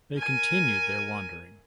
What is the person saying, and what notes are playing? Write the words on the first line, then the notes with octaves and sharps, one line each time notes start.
They continue their wandering.
A#4 G#5